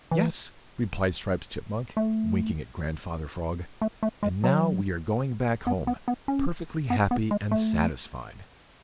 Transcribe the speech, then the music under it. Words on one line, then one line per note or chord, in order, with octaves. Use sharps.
"Yes," replied Striped Chipmunk, winking at Grandfather Frog, "and now we are going back home perfectly happy and satisfied."
E3
A3
A3
A3
G#3
F#3
B3
B3
B3
C#4
B3
B3
G#3
A3